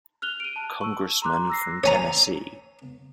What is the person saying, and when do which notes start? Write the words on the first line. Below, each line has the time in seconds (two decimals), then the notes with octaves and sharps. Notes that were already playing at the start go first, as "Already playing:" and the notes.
Congressman from Tennessee.
0.22 F6 F#6 F7 G7
0.40 D7 D#7
0.56 A5
0.81 C#6 E6
1.22 A#5 C6 D6 F#6
1.50 E6 A#6 C7
1.84 C#5 G#5 A#5